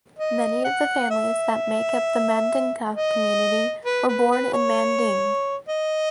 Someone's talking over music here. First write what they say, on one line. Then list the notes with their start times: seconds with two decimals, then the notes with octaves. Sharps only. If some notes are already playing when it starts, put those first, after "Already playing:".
Many of the families that make up the Mandinka community were born in Manding.
0.19 D#5
0.65 F#5
1.10 E5
2.94 D#5
3.85 B4
4.08 B4
4.31 B4
4.54 C#5
5.68 D#5